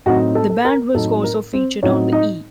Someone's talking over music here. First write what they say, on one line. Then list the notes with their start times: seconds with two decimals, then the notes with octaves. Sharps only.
The band was also featured on the E!
0.06 A2 F#3 C4 D#4 F#4 F#5
0.35 A4
0.50 A4
0.65 A#4
0.94 A2 F#3 C4 D#4 A4
1.24 A#4
1.53 C4 C5
1.83 A2 F#3 C4 C#4 D#4 C#5
2.12 D#4 D#5